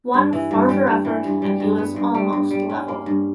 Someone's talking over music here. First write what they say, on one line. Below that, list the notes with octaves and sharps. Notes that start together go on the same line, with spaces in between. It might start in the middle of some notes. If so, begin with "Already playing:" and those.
One further effort and he was almost level.
G2
E3
G2
G3
G2
E3
G2
G3
G2
B3
G2
G3
G2
G3
C#4
A#3
G2